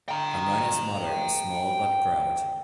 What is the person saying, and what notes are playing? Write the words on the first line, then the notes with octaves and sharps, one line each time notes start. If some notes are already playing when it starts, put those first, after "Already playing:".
Armona's motto is "Small But Proud".
G5 A#5